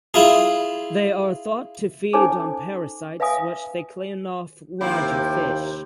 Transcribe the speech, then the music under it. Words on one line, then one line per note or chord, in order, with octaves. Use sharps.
They are thought to feed on parasites which they clean off larger fish.
E4 F4 G#4
C#4 D#4 A4 C5 G#5 D6
B4 E5 F5 G#5 D#6
D#2 C3 A#3 E4 G5